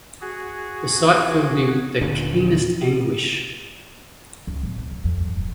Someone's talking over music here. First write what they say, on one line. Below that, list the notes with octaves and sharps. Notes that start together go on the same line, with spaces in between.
The sight filled me with the keenest anguish.
F#4 G#4
D#1 A#2 D3 D4
C#2
D1
C3
F2
F2
G2
D1